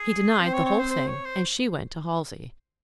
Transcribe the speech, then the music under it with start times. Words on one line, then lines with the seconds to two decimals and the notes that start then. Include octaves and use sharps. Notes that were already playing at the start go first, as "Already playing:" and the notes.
He denied the whole thing, and she went to Halsey.
Already playing: G#4
0.40 C4 C5
0.53 C#5
0.66 C#5
0.79 C5
0.91 C5
1.07 C#5
1.25 C5